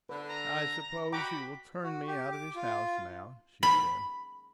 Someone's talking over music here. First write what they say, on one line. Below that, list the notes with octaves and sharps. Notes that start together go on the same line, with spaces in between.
"I suppose he will turn me out of his house now," she said.
D3 B4
A#5
F#4 G5 A#5 B5 D6
F#4
G4
D6
F4
B5